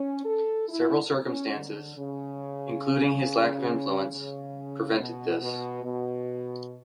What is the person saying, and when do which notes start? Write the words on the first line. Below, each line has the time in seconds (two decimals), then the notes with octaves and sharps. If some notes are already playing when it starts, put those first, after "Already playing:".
Several circumstances, including his lack of influence, prevented this.
Already playing: C#4
0.25 A4
0.69 E4
1.26 C#4
1.55 D3
1.97 C#3
4.11 C#3
4.98 B2
5.41 B2
5.84 B2